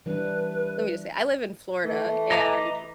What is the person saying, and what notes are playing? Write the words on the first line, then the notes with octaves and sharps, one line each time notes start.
let me, just, say, I live in Florida, and
E3 G3 D4 B4
E3 A3
D#5 A#5 D6